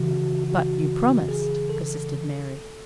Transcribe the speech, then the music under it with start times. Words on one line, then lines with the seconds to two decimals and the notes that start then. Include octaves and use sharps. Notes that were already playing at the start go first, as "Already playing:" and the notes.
"But you promised," persisted Mary.
Already playing: C#3 E3 F#4
0.44 F#4
1.28 G#4
1.69 A4